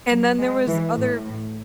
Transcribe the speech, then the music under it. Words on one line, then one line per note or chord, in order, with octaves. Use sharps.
and then there was other
F#3
G#3
E3
A2